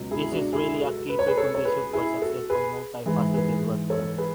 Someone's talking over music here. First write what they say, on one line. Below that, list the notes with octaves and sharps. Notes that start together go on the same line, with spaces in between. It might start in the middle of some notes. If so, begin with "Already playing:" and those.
This is really a key precondition for successful multifaceted work.
Already playing: C#2 B2 F#3
E4 G#4
D4 F#4
E4 G#4
F#4 A4
B4
C#5
G#4 B4
A4 C#5
C#5
G#4 B4
E4 G#4
F#4 A4
G#4 B4
G#2 E3 E4 G#4
G#4 B4
A4 C#5
G#4 B4